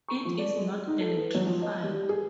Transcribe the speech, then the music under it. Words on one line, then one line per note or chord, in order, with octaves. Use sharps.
It is not electrified.
C#6
F3
D5
G#3
D#4
A4
E3
F#3
F3
D#5
G3
G#4